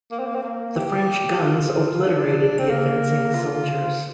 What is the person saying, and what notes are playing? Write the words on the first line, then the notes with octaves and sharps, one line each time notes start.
The French guns obliterated the advancing soldiers.
A#3
C4
A#3
C4
A#3
G4
F4
D4
C4
A#3
F4